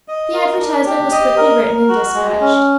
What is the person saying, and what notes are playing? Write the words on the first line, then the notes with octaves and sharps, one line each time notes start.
The advertisement was quickly written and despatched.
D#5
A#4
D4
G4
D#5
A#4
A#4
F#4
G#3
C#4